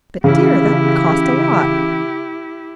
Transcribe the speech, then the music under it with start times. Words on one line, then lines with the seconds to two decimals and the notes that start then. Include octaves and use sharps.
But, dear, that would cost a lot!
0.24 C#3 E3 C#4 E4 G4